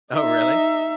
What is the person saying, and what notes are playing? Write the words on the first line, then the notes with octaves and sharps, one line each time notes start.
Oh, really?
D#4 E5